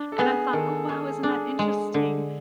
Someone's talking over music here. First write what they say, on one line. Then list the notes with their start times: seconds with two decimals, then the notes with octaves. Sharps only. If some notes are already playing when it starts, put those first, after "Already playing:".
and I thought, “Oh, wow. Isn't that interesting?”
Already playing: D4
0.12 A4
0.18 B3 G#4
0.53 D#3 A4
0.89 G#3 G#4
1.23 D4 G#4
1.59 G#3
1.94 D3